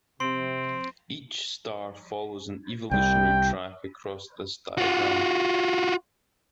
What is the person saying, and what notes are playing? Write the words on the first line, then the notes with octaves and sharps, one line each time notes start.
Each star follows an evolutionary track across this diagram.
C3 C4 C6
C2 G3 G5
F4 F#4